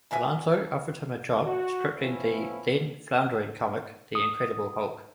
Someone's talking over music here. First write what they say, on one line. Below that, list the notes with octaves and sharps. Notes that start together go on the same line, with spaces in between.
Alonso offered him a job scripting the then-floundering comic "The Incredible Hulk".
E3 F#4 E5 G#5
F#4
E3 F3 B3 C#4 E4
D#6